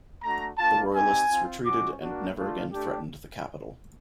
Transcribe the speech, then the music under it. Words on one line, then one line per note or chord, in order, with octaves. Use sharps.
The royalists retreated and never again threatened the capital.
A3 D4 F#4 A#5
A#3 D4 F4 A5
C4 D#4 G4 G#5
C4 F4
G#3 C#4 F#4 D6
A#3 D4 F#4
A3 D4 F4
A3 D4 G4